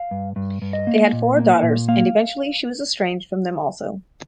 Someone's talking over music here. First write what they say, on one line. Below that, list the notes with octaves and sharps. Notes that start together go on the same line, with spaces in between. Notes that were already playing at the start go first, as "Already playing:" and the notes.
They had four daughters and eventually she was estranged from them also.
Already playing: F5
G2
G2
G2
D#5
A#3
A#2
A#3
A#2
A#3 F5